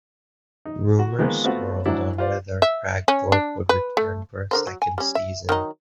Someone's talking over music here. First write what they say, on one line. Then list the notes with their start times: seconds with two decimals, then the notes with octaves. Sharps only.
Rumors swirled on whether Kragthorpe would return for a second season.
0.66 D#4
0.99 F#4
1.18 D#3 F3 G#3 A#3 B3 F4
1.44 A3 B3 C4 F4 F#4
1.86 G#2 F#3 D4 E4
2.18 F4 G4 C5 D5
2.62 E5
3.08 C#4
3.32 D4
3.69 B4
3.97 A3
4.51 D3 A#4 C5
4.67 F#3
4.82 G#5
4.98 G3 C#4
5.15 E5
5.49 D#3 F#3 D#4